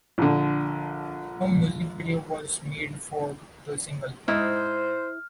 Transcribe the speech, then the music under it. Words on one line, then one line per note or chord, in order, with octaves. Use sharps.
No music video was made for the single.
A#1 D3
G#2 E4 C5 D#5 F6